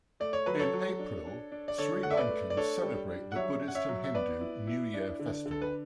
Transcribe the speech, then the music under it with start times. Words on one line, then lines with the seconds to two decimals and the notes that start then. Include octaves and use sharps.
In April, Sri Lankans celebrate the Buddhist and Hindu new year festival.
0.20 A3 D5
0.33 C#5
0.46 F#3 B4
0.60 A4 C#5
0.73 F#3
0.99 D4
1.26 D4
1.52 D4
1.68 D5
1.78 D3 A4 C#5
2.03 A3 F#5
2.11 E5
2.17 B4 D5
2.31 A3
2.50 D5
2.57 D4 A4 C#5
2.83 G3
3.09 D4
3.32 F#5
3.35 F#3 C#5 E5
3.62 C#4
3.68 F#5
3.75 C#5 E5
3.89 F#3
4.04 E5
4.14 B3 B4 D5
4.40 E4
4.67 E4
4.94 D4
5.19 D3
5.46 D3
5.51 A4
5.62 B4